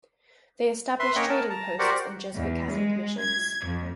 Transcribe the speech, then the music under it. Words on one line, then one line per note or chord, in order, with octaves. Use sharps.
They established trading posts and Jesuit Catholic missions.
B4 E5 C6
A#3 C#4 C#5 D#5 F#5 G5
A#4 A5
A5 A#5
F#4 G4 A#4 C5 D5 F#5
E2
G#3
G#6
F2